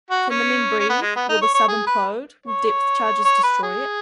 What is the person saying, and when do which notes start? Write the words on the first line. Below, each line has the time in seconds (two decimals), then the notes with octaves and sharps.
Can the men breathe, will the sub implode, will depth charges destroy it?
0.10 F#4
0.30 C#4
0.79 C#4
0.90 B3
1.02 G#3
1.16 B3
1.29 D#4
1.41 C#5
1.54 C#5
1.68 G#4
1.86 B4
2.46 C#5
3.25 C#5
3.43 B4
3.63 G#4